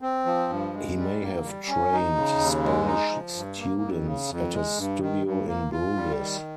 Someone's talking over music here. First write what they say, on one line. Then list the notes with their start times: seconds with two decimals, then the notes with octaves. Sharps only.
He may have trained Spanish students at his studio in Bruges.
0.02 C4
0.26 F3
0.50 G2
0.74 G#3
0.97 G3
1.21 A#3
1.44 G3
1.68 C#4
1.92 D#4
2.15 C#3
2.39 D#2
2.63 G#3
2.87 D#4
3.10 F3
3.35 G2
3.58 A#3
3.82 F2
4.05 C#3
4.29 F2
4.53 G#3
4.77 G2
5.01 D#3
5.24 G2
5.48 A#3
5.72 F4
5.96 G3
6.19 D#3